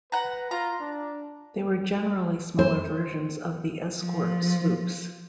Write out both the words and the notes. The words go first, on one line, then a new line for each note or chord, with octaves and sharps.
They were generally smaller versions of the escort sloops.
B4 F#5 A#5
F4 A#5
D4
C5
F3